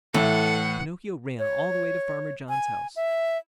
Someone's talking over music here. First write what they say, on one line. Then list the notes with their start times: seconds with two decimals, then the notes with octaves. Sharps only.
Pinocchio ran all the way to Farmer John's house.
0.14 A2 E3 A4 F#5
1.39 C#5
2.49 G#5
2.96 E5